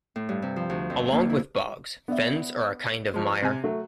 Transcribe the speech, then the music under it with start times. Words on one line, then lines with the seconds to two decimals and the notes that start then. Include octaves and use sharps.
Along with bogs, fens are a kind of mire.
0.16 A2
0.29 G2
0.42 C3
0.56 F3
0.70 D2
0.90 F2
1.12 A#3
1.30 E4
2.08 B3 D5 E5
3.14 F3 G#3
3.42 C3 G#5
3.64 F#3 A3